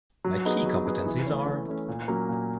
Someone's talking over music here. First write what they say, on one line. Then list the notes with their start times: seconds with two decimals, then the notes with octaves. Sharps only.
My key competencies are...
0.24 F#3
0.45 B3 D#4 G#4
0.66 F#3
0.86 B3 D#4 G#4
1.06 E3
1.27 A3 C#4
1.47 E3
1.67 A3 C#4
1.88 A#2
2.08 F#3 A#3 C#4
2.29 A#2